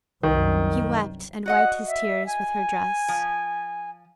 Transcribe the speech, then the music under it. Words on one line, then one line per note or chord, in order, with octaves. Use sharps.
He wept and wiped his tears with her dress.
C2 F#2 D#3
F#4 D#5 F#5 F#6
E5
G#5
F3